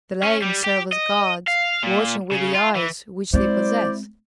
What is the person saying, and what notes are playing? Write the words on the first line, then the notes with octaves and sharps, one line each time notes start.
The lame serve as guards, watching with the eyes which they possess.
C#4
G3
G4
D#5
F5
A#2
C#3
F4
E3
G#3 C4 E4 C5 D5